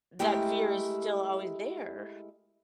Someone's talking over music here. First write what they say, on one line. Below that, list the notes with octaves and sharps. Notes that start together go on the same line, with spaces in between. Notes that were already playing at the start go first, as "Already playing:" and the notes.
that fear is still always there.
G#3 A3 E4 G4 A#4